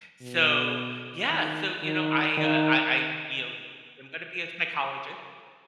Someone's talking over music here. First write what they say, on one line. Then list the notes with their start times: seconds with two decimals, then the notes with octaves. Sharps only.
So, yeah, so, you know, I, uh, I I you know, I'm gonna be a psychologist.
0.21 B2
1.30 D#3
1.83 D#3
2.37 D#3